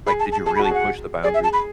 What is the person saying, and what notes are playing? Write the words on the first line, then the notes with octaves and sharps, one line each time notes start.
Like, did you really push the boundary?
G#4 B5
A5
A5
G#4 A5
B5
F#4
A5
G#4 F#5
G#4 D5
E5
A5
B5